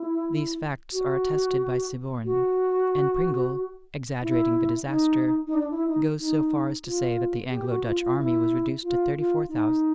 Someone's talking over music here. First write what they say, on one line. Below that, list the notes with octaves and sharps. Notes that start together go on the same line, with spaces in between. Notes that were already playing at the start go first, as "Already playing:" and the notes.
These facts are attested by Siborne; and Pringle, exaggerating the disaster, goes so far as to say that the Anglo-Dutch army was reduced to thirty-four thousand men.
Already playing: E4
F#4
F#4
E4
D#4
D#4
D4
E4
D#4
D#4
F4
G4
F#4
F4
F4
E4
F4
F4
D#4